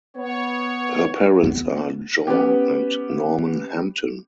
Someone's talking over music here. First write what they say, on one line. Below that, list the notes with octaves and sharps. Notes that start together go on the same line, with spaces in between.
Her parents are Jean and Norman Hampton.
B3 C#5
B3
B3 C#4 G4